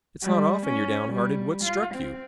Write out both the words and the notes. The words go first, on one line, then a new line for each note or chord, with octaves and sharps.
"It's not often you're downhearted. What's struck you?"
G3
C#4
G3
F4
C4